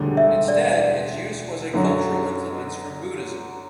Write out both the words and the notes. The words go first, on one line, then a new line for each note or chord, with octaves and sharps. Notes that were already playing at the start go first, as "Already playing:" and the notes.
Instead, its use was a cultural influence from Buddhism.
Already playing: E1 D2 D3 G3
E5
D5
F#2 D3 F#3 C#4